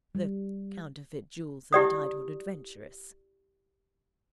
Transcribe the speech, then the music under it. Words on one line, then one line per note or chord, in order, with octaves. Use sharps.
"The counterfeit jewels of a titled adventuress!"
G3
E4 G4 D5 D#6